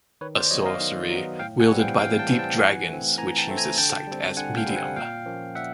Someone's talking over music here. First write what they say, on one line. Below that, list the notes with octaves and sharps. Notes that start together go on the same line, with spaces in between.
A sorcery wielded by the Deep Dragons which uses sight as medium.
D#3 B4 C#5
C5 D5
F#3 B3 C#5 D#5
D#5 F5
D#3
F#3 B3
A2 F5 G5
F#5 G#5
E3 G3 C4
F5 G5
A2 F5 G5
G5 A5
E3 G3 C4
G5 A5
E3 F#5 G#5
A3 C4
E3 G#5 A#5
G5 A5
A3 C4
G#5 A#5
D3 G5 A5
G3 C4
D3 F#5 G#5
F5 G5
G3 C4
F#5 G#5
A#2 F5 G5
F3 A#3 C#4
A#2 E5 F#5